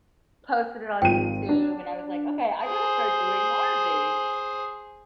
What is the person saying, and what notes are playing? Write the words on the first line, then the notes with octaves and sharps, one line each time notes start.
posted it on YouTube, and I was, like, okay, I gotta start doing more of these.
G#1 F3 G5 D#7
D4
G#4 C5